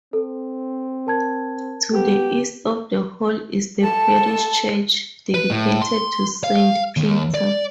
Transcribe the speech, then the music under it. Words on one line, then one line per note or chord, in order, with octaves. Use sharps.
To the east of the Hall is the parish church, dedicated to Saint Peter.
C4 A4
A#4 A5 G#6
B3 G4
A4 A5
B4
A2
C6
F5
D#2
D5